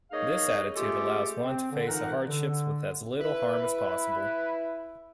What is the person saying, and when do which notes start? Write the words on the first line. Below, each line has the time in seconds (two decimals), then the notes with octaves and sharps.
This attitude allows one to face the hardships with as little harm as possible.
0.12 A#3 D#4 G#4 C#5 D#5 F5
0.75 G#3 A3 C#4 F4 G4 A4
1.44 C4
1.71 D3
1.87 F2 E3 D#4 A#4 F#5
2.27 D3
3.20 E4 B4